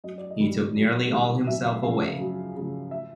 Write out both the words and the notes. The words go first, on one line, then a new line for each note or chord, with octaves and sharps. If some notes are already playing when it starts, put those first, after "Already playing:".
He took nearly all himself away.
F#2 D#5
D5
D#5
D#3 G3
F#2
D#3 G3
F#2 E5
F5
C#3 F3 F5
F#2
C#3 F3
E5